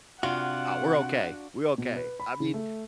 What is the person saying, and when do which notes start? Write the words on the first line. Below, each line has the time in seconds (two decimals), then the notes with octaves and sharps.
Oh, we're okay. We're okay. I mean
0.23 C3 D4 F4 F#4 F#5
1.78 B2
1.96 B4
2.20 B5
2.40 C#3
2.54 A3